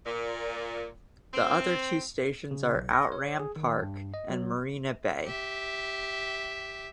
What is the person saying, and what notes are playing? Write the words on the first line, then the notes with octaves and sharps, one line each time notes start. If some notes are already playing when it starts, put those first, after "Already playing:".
The other two stations are Outram Park and Marina Bay.
A#2
C4
C#3
B1
A#6
C#5
G#4
D#3
G2
D#5
F#3
G4 E5